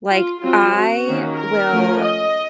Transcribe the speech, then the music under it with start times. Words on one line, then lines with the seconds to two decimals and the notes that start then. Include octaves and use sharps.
Like, I will
0.09 F4
0.42 F#3 C4 F4
0.74 F#4
1.06 D#3 A#3 C#4
1.38 A#4
1.71 F3 A3 C#4
2.02 D#5